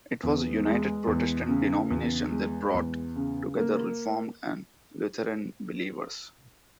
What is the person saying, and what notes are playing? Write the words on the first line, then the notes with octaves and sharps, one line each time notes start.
It was a United Protestant denomination that brought together Reformed and Lutheran believers.
E2
G#3
E2
C#3
E2
G#3
E2
C#3
A#3